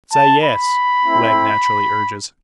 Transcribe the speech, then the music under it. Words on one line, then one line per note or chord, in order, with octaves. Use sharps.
'Say yes,' Wegg naturally urges.
A5
B5
A3 C4 E4